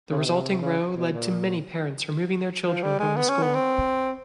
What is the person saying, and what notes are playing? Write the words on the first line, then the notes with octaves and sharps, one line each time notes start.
The resulting row led to many parents removing their children from the school.
C#3
C3
B2
C3
C#3
B2
A#2
F3
G3
G#3
B3
C#4
B3
C4